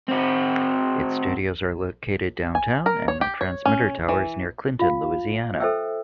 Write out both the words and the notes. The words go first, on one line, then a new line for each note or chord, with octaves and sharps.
Its studios are located downtown and the transmitter tower is near Clinton, Louisiana.
C4 F#4
G#5
A#4
C#5
G4
C#5
C#4
E3
F4 F5
A4 C5 E5 G5 E6